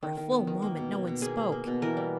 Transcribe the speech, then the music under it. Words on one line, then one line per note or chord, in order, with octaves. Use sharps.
For a full moment no one spoke.
D#3
D#3
B3
D#3
A#3
B2
A#3
B2
A#3 G#4
A#3
A#3
B2
E3 A#4
G3